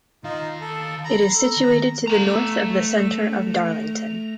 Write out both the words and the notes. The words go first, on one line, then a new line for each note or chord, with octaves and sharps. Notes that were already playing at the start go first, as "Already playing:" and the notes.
It is situated to the north of the centre of Darlington.
D#3 D#4 F4 F5
A4
A#5 B5
A4
D#3
A3 A#5